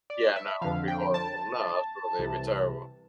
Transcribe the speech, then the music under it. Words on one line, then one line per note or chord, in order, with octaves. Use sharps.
Yeah, no, it would be horrible, no, absolutely, it'd be terrible.
D5
E5
F2 D3 F3 F5
G5
A5
C2 C3 E3